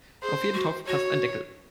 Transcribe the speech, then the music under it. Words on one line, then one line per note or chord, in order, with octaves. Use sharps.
Auf jeden Topf passt ein Deckel.
G#4 C5
F#4
F#4 C#5